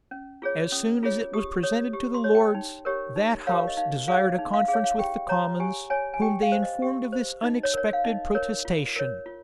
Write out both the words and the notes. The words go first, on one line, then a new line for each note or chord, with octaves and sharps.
As soon as it was presented to the lords, that house desired a conference with the commons, whom they informed of this unexpected protestation.
C#4
F4 G#4 C#5
C#4 D#6
F4 G#4 C#5
G4 D#6
C#5 D#6
G4
C6
C#5
G5
D#4
G4 A#4 C#5
D#4
G4 A#4 C#5 F5
D#5
D#4 F5
G#4 C#5 F5
D#4
F5
G#4 F5
C#5
F5
G4 G5
C#5 A#5
G4 G#5
C#5 G#5
G#5
G4 G5
F5
C5
D#5
G4
C5
D#4 D#5
C#5
A#4 C#5
F5
D#4 D#5
A#4 C#5
F4
A#4 C#5
F4